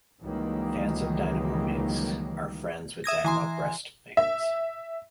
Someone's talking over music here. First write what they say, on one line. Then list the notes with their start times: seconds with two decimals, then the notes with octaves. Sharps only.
Fans of Dinamo Minsk are friends with Dinamo Brest fans.
0.21 C#2 D#3 E3 F#3 G3 A#3
3.04 E5 D#6 G#6 A#6
3.24 E3 G#5 C6
4.17 E5